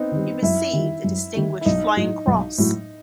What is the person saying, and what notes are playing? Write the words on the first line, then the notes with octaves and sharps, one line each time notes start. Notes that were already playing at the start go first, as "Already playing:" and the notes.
He received a Distinguished Flying Cross.
Already playing: B3 C4 D#4
D#3 G3
F#2 E4
D#3 G3
F#2
D#3 G3
E4
B1 D#4
A2 F#3
B1
A2 F#3